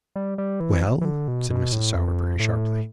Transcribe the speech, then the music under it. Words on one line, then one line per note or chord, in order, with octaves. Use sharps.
'Well,' said Mrs. Sowerberry, sharply.
G3
G3
E3
E3
D3
B2
B2
A2
F2
A2